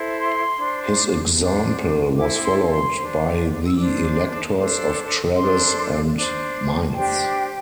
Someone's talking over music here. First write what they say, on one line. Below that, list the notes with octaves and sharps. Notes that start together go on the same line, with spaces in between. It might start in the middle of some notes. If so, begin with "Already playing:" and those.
His example was followed by the electors of Treves and Mainz.
Already playing: E4 A4 C5
C6
D4 C5
D4 C5
E4 A4 C5 D6
D6
C6
C6
D4 C5
E6
D4 C5 D6
D6
A5
D4 A4 C5
D4 A4 C5 C6
D4 C5
A5
D4 G4 C5 G5
G5